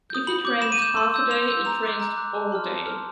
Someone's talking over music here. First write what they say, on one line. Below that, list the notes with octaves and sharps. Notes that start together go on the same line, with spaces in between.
If it rains half a day, it rains all day.
D#6 G6
B5 F#7
D6 G6
B5 E7
D#7
D6 G6 E7
C6
E6 G6
C6 F7
E6 G6
A#5 F7
D6 F#6
A#5
D6 F#6
A5
C6 F6
A5
C6 F6